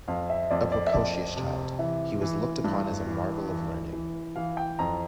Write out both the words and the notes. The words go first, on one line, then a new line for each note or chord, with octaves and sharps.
A precocious child, he was looked upon as a marvel of learning.
F2 F5
E5
F2 D5
D5
E5
F2 D5
C3
E3 E5
E3
G2
E3
E3
E3
E3 F5
G5
F2 A#5